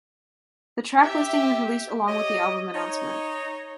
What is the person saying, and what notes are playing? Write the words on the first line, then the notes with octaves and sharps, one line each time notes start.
The track listing was released along with the album announcement.
G4 E5
G4 C#5 D#5
D#4 C#5